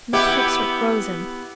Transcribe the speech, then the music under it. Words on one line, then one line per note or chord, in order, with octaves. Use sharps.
The pipes are frozen.
B3 E4 G4